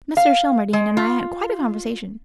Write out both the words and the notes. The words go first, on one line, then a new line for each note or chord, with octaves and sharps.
Mr. Shelmardine and I had quite a conversation.
F5
G#3
F4